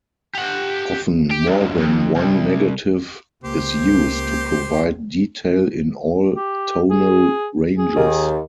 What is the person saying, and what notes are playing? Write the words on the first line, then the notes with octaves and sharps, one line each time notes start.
Often more than one negative is used to provide detail in all tonal ranges.
G4 F#5
G4
C#2 G2
F2
C2
C#2 A#3 G4 C5
G4
G#4
G#4
D#2 D#3